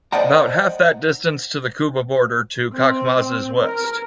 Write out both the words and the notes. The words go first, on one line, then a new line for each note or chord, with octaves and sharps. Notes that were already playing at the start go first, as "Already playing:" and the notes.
About half that distance to the Quba border to Khachmaz's west.
C5 D5 D#5 F#5 G5 A#5
C4
C4
A#4